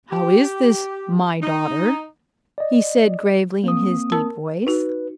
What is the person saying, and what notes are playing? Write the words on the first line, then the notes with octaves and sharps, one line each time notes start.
"How is this, my daughter?" he said gravely, in his deep voice.
G4
D#4
D5 D#5
A#3 C4 D#6
A#4 A5 E6
D#4 F#4 B4